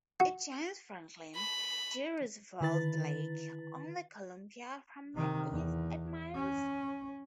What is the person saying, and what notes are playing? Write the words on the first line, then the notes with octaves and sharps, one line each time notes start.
It joins Franklin D. Roosevelt Lake on the Columbia from the east at Miles.
F#4
B5
D3 D#3 E4 B4 A6
C3 D#3
E2
C#4